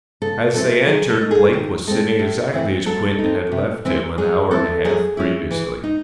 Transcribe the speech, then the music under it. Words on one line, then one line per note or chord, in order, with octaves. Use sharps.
As they entered Blake was sitting exactly as Quinton had left him an hour and a half previously.
C#3 A4
E3 C4 E4 A4
F#3 G#4
A4
A3 D#4
G#4
D#3
G#3 C4 A4
A2
E3 A3 C4 E4
F#3 A4
D#4
C4
C3
E3 C4 E4
F#3 G#4
C4 E4 A4
F#3 G#4
C#4 E4
E3
D#4